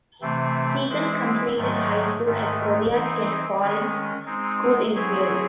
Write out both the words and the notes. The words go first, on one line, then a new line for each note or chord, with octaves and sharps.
He then completed high school at Korea Kent Foreign School in Seoul.
C3 E3 A3 C4
E3 G#3 C4 E4
G#2 D#3 F#3 A3
G#2 D#3 A3
E3 C4 D#4
D#3 G#3 C#4
G#3 C4 D#4
F#3 C4 E4 G#4 C#5